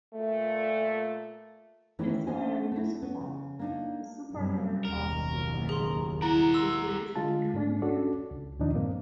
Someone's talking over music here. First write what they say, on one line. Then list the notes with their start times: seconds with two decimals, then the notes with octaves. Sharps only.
Ismail Yusupov, a supporter of the plan, replaced Kunayev.
0.14 A#2 A3
1.99 D#3 E3 A3 C#4 D#4 E4
2.27 B3 C#4 D4 C5 D#5 G#5
2.71 A3 E4
3.02 B3 C#4
3.21 C#3
3.59 A#3 D4 D#4
4.32 F#2 C3 G3
4.85 F#1 D#2 B2 A#4
5.69 G#4 C6
6.22 E4 A#4 F#5 A#5
6.54 C6 E6
7.16 D3 G#3 F4 A5
7.54 G#2 A3 D4
7.82 C#4 D4 F#4 A4 D5
8.31 C#2
8.59 D#2 A#2 D#3 F3 D4 D#4
8.75 G2 A#3 C4